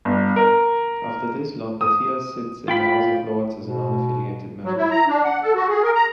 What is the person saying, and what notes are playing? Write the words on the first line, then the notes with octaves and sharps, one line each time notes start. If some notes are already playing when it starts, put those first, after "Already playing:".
After this, Lord Batia sits in the House of Lords as a non-affiliated member.
G1
A#4
D#6
F4 G5 B5
B2
F#3
E4
A#5
D4
F#5
A4
F#4
G#4
A#4
A#5